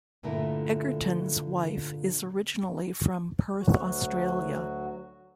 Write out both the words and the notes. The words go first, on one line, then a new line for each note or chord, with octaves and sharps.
Egerton's wife is originally from Perth, Australia.
G2 A#2 D3 A3 E4 A#4
D2 F#3 F#4